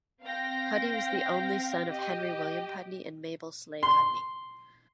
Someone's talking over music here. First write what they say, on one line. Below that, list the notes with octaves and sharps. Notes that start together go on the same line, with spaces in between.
Pudney was the only son of Henry William Pudney and Mabel Sleigh Pudney.
C4 F5 G5 A#6
G4 D#5
C6